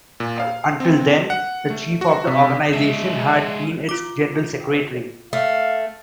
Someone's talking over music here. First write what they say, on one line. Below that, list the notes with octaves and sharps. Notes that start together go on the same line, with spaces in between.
Until then, the chief of the organization had been its general secretary.
A#2
F5
C4
F#5
A3
F#4
C3
G#3 E5
F4 D6
A3 F5